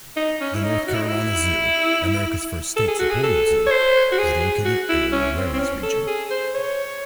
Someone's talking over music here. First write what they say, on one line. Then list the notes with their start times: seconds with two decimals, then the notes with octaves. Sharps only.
The North Carolina Zoo, America's first state-supported zoo, is located in the Uwharries region.
0.16 D#4
0.41 C#4
0.54 E4
0.64 D#4
0.87 F#4
0.94 E4
1.01 D#4
1.08 E4
2.77 A4
2.88 G#4
2.99 F#4
3.10 G#4
3.23 A4
3.67 C#5
3.71 C5
4.12 F#4
4.18 G#4
4.65 F#4
4.89 E4
5.12 C#4
5.37 C4
5.54 C4
5.59 C#4
5.83 A4
6.07 G#4
6.31 C5
6.54 C#5